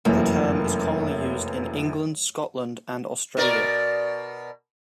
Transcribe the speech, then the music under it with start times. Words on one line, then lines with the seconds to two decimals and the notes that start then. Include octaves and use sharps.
The term is commonly used in England, Scotland and Australia.
0.05 F1 F#2 C#3 E3 A#3
3.37 B2 A#4 D5